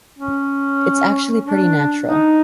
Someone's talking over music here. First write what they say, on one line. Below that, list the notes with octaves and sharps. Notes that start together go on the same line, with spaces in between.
It's actually pretty natural.
C#4
D4
D#4